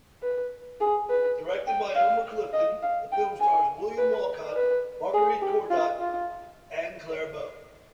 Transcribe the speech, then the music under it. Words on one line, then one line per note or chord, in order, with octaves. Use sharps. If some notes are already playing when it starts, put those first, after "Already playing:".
Directed by Elmer Clifton, the film stars William Walcott, Marguerite Courtot, and Clara Bow.
B4
G#4
B4
G5
F5
D#5
F5
G5
G#5
B4
B4
G#4
G4
F4
F4